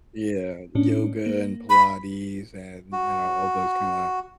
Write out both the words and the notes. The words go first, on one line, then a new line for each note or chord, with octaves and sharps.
Yeah, yoga and Pilates and, you know, all those kinda,
A2 C#4 D4
A#3
B5
F#4